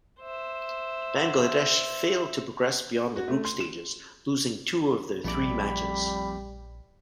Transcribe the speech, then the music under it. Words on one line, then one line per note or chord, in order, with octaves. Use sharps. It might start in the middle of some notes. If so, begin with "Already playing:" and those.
Bangladesh failed to progress beyond the group stages, losing two of their three matches.
C5 E5
F#4
A3
C6
E7
A#1 F2 G3 A3 D5 B5